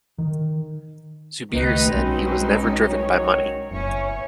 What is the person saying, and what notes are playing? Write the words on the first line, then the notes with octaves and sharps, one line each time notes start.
Zubir said he was never driven by money.
D#3
C#2 D#3 A3 D#4 G4 B4
B1 G#3 C4 C#4 D#4 F#4 B4
D#3 F#3 C#5
F#1 B3 C#4 E4 C#5